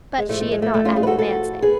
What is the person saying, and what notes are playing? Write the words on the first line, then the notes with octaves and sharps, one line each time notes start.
But she had not added the man's name.
G#3
A2 F3 A3
A3
G#3
A3
A3
C#4 F4
F4 G#4
B4
F#4 A4
F#4 A4
G#4 B4